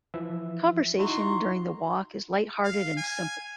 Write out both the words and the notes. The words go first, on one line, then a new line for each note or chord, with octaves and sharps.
Conversation during the walk is light-hearted and simple.
E3 F3 E5
D#4 E4 F#4 A#5 C6 C#6
F5
G#5